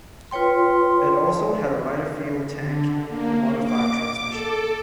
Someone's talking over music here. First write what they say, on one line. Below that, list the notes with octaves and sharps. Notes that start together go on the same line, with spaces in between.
It also had a lighter fuel tank and a modified transmission.
F4 B4 C#5 G5 C6
D3
A#3
D6
A4